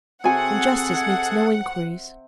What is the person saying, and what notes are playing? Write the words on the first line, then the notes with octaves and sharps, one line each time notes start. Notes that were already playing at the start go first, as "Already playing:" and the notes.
And justice makes no inquiries.
C3 C4 F#4 G#4 A4 F#5 G#5 G#6